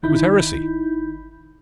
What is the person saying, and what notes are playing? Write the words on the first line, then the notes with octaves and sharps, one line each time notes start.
It was heresy.
G1 D#3 D#4 E4 B5 G6